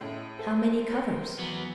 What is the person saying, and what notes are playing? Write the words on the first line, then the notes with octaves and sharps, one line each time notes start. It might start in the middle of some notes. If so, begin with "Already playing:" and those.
"How many covers?"
A2 G#3 C#4 E4
A4 C5
A#4 B4 C#5
E3 F#3 B3